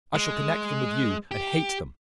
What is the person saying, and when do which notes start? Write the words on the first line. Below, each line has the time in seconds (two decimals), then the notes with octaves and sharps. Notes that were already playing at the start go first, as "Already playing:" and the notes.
'I shall connect them with you, and hate them.'
0.14 G#3
1.31 G4